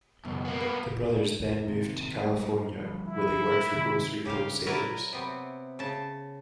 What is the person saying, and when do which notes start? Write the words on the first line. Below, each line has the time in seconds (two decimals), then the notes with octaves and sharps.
The brothers then moved to California where they worked for grocery wholesalers.
0.25 C#2 F#2 B2
0.45 A#3 B3
0.60 B4
1.66 F#1 D#2 C3
2.22 G#2 G3 A3
2.78 D3 F3 G3
3.07 E4
3.73 G2 C3 D#3
4.25 C#3 G4 C5 F5
4.66 F#3 E4 A#4 B4 D5
5.13 C3 B3 C4
5.79 C#3 A5